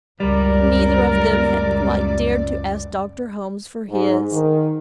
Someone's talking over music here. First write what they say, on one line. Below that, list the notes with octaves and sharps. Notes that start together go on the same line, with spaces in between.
But neither of them had quite dared to ask Doctor Holmes for his.
C#2 F#2 G3 A#4 D5
G#2
D#3